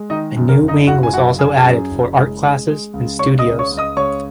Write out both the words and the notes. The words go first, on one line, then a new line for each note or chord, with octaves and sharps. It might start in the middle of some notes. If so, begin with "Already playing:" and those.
A new wing was also added for art classes and studios.
Already playing: G#3
D#3 D#4 D#5
F#2
A#4
F#1
D#4 D#5
F#1 F#4 F#5
G#5
F#2 F#4 F#5
F#2 G#4 G#5
F#2
F#1
G#3
G#3
G#3
C#2
C#2 C#5 C#6
D#5 D#6
C#2
C#5 C#6
C#2
D#5 D#6
C#2 C#5 C#6